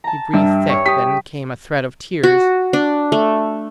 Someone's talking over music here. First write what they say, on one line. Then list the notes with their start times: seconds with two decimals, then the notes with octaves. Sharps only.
He breathed thick; then came a threat of tears.
0.04 A5 A#5
0.33 G2 G3 E5
0.69 C#5 C#6
0.86 G4 D#6 B6
2.23 F#4
2.73 D4
3.12 A3